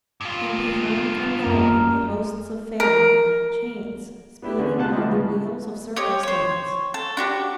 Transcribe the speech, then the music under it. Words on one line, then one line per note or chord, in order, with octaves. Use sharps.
And behind come galloping the hosts of Pharaoh; chance, speeding on the wheels of circumstance.
G2 F4
F#2 A#3 C#4 A#4
A#4
B3 D4 E4 G4
D3 E3 B3 C#4 D4 G#4
D2 C3 F4 F#5 A5 F#6
F3 A3 C4 E4 G4 D#5
A2 C#3 G#3 A3 B3
G4 C#5 D#5
C5 C#5
A4
D4 F#4 G4